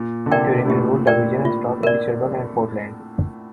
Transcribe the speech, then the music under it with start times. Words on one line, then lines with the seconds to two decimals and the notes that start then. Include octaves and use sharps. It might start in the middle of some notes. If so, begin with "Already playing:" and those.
During the tour, the Division stopped in Cherbourg and Portland.
Already playing: A#2
0.26 D3
0.31 C3 A#4 D5 G5
0.65 A2
0.69 A#2 G4
1.07 A#4 D5 G5
1.45 F4
1.83 A#4 D5